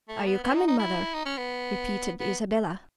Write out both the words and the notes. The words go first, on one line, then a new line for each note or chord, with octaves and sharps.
"Are you comin', mother?" repeated Isabella.
A3
B3
B3
D#4
D#4
E4
D#4
C#4
B3
B3